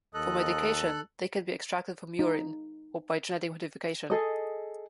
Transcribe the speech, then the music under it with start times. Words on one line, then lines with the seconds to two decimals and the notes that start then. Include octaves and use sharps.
For medication, they can be extracted from urine or by genetic modification.
0.14 D#2 A4 D#5 F#6
2.19 D#4
4.10 G#4 A4 D#5